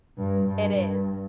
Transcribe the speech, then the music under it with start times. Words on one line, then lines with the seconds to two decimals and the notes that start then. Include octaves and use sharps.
It is.
0.17 G2
0.46 G2
0.75 G2